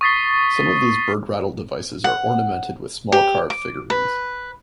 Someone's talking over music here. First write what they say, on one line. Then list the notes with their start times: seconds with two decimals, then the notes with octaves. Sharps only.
Some of these bird-rattle devices are ornamented with small carved figurines.
0.01 C#6 D#6 A6 B6 C7 G7
2.04 F#5
3.12 G4
3.50 D6
3.90 B4